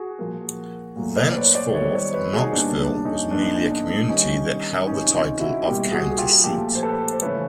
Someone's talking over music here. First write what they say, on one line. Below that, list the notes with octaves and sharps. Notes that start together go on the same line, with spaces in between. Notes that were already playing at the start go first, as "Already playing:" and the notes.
Thenceforth, Knoxville was merely a community that held the title of county seat.
Already playing: F#4 G#4
A#2 F3 A#3
A#2 F#3 A3
C5 D5
D5
B4 C#5
C5 D5
D#3 G3 B3 B4 C#5
C5 D5
B4 C#5
F#4 G#4
D#4
A#2 G3 B3 D4
D4
C#4 D#4
A#2 F3 G#3 B3 D4
D#4
D4
D4
D#3 G3 B3 C#4 D#4
C3 D#3 G#3 C#4 D#4
D#4 F4
E4 F#4
B2 G3 A#3 F4 G4
F#4 G#4
G#4
F4 G4
A#2 F3 A3 G4 A4
C5
A4 B4
C5
C#3 E3 A3 B4 C#5